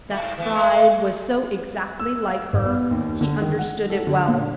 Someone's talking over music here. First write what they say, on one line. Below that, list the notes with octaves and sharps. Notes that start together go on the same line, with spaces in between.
That pride was so exactly like her, he understood it well.
A3 F#4
G#2
E3 A3 B3
A3
E6
F5
G#1
B3
D#2
D3
D#3
F#5
A4
D3
A#2
D4